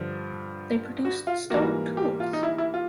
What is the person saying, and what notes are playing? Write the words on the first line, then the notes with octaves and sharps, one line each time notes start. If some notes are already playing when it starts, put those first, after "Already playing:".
They produced stone tools.
Already playing: G2 D3 F3
F#4
F4
G#2 E3 G3 A#3 F#4
G4
F4
D#4
E4
E4
F4